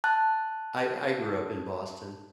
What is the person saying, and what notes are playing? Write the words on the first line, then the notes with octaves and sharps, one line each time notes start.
I I grew up in Boston.
A5 F#6